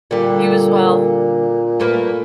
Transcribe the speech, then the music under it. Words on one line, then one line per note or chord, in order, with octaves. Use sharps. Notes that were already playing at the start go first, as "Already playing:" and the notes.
You as well.
A#2 D3 G3
A3 A#3 B4